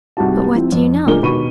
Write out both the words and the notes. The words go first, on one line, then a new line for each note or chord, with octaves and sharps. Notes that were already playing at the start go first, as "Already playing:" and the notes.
But what do you know?
C2 G#2 F#4 G4 A5
F3 C4 E4
F2
A#2 D3 G#3 D4 A#4 G7
D#2 B2 B5 C#6 D#7